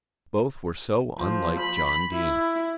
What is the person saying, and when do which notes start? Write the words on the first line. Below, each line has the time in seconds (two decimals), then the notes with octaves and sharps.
Both were so unlike John Dene.
1.19 F3
1.59 B5
2.13 E4